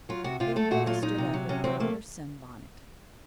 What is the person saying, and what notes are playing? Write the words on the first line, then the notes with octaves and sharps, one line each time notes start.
Then Betty stood up and put on her sunbonnet.
F#3 F4
C3 F#4
C3 F4
A3 A4
A#2 F#4
F#3 F4
A#2 D#4
C3
F#3
C3 C#4
F#3 C4
A3 A#3